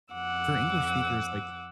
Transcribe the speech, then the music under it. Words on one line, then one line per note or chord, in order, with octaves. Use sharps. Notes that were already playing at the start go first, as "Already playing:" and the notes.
for English speakers, like,
F2 F#5 D6 E6